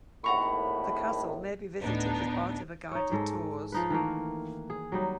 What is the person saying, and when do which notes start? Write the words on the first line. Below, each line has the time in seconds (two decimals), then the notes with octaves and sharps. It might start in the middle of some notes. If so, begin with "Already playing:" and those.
The castle may be visited as part of a guided tours.
0.24 G#1 D#2 A2 F#5 A#5 B5 C#6
1.82 D2 A2 B3 D4 D#4
2.91 D#4 C#5
3.12 G#2 G#3 A4
3.72 F3 D#4 B4
3.90 D#3 E3 A3 A#3
4.70 G#4
4.92 F#3 G3 D#4